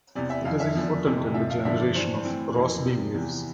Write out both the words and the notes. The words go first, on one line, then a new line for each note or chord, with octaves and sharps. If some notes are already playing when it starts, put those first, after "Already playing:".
It is important in the generation of Rossby waves.
E2 C3 E3 D5
E5
F2 E3 F5
E5
E2 D3 F3
F2 C3 E3
F2 C3 F3 E5
F5
G2 D3 F3 E5
D5
G2 E3 C5
A2 E3 C4
F2 E3 A#3
E2 C3 F3
E2 C3 E3